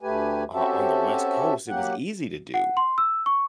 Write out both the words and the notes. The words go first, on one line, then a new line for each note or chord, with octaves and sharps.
o on the West Coast, it was easy to do,
D2 A3 G4 B4 G#5
C4 C#4 F#4 G4 A4 E5
F#3 A#3 G4 F#5
F#5
C6
E6
C#6